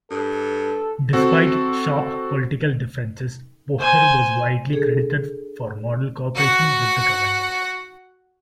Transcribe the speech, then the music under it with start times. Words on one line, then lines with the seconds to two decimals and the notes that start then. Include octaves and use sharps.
Despite sharp political differences, Poher was widely credited for model cooperation with the government.
0.11 G2 A4
1.13 C4 F#4 A4
3.78 C5 G#5
4.73 D4 G#4 A4
6.35 F#4 F#5